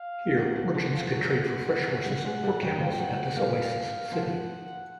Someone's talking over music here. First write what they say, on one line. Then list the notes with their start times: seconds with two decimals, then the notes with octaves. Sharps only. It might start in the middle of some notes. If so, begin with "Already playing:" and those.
Here merchants could trade for fresh horses or camels at this oasis city.
Already playing: F5
0.37 D#2 D#3 F#5
0.56 D2 D3
0.74 D2 D3
0.93 F2 F3
1.12 F#2 F#3
1.87 F#2 F#3
2.05 G2 G3
2.24 G#2 G#3
2.43 G2 G3
2.62 F#2 F#3 G5
2.80 F2 F3
2.99 F#2 F#3 F#5
3.36 G2 G3 F5
4.11 F2 F3 F#5